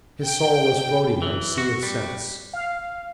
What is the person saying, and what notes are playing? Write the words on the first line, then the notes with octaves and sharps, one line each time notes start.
His soul was floating on a sea of sense.
G5
E3
F#4
G3
F5